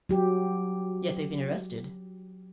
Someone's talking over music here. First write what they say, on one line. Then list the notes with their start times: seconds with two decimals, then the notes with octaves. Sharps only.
"Yet they've been arrested?"
0.09 F#3 G4